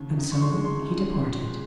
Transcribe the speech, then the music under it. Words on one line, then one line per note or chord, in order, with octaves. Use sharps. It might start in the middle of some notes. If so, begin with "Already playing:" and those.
And so he departed.
Already playing: D#2 C#3
D#4
C#6
C6
G#3
C6
C#3
A#2 C6
G#3